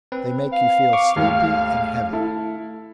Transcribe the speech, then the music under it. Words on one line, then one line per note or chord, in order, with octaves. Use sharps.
They make you feel sleepy and heavy.
C4 B4
F5
C#6 D6
D#2 G#2 A3 F6
E4 A4